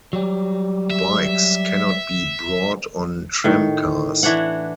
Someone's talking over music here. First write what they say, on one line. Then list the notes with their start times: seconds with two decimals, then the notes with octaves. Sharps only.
Bikes cannot be brought on tram cars.
0.13 F#3 G3
0.90 E5
3.44 A2 D#3
4.23 E3 D4 C#5 F#5